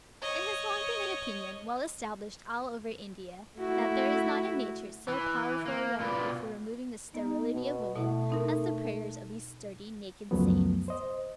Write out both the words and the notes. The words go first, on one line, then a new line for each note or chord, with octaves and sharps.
It has long been an opinion, well established all over India, that there is not in nature so powerful a remedy for removing the sterility of women, as the prayers of these sturdy naked saints.
C#5 D#5
A3 E4 F#4
E3
A#3
B2 F4 B4 D5
B3 D#4
B2
B2 A3 E4 F#5
C4 D#4 A#4
C#2 F#2 F3 F#3 A3 B3
C5 D#5